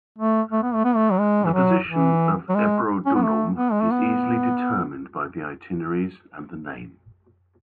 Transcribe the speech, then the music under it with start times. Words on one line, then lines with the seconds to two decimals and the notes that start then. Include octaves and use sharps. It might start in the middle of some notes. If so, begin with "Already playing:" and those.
The position of Ebrodunum is easily determined by the itineraries and the name.
0.18 A3
0.52 A3
0.63 B3
0.74 A3
0.85 B3
0.96 A3
1.12 F#3
1.19 G#3
1.46 E3
1.54 F#3
1.87 E3
2.49 F#3
2.55 G#3
3.06 C#4
3.14 B3
3.23 A3
3.56 B3
3.72 G#3
3.81 A3
3.91 B3